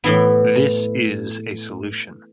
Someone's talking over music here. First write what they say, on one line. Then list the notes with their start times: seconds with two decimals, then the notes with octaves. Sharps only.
This is a solution.
0.04 A2 E3 B3 E4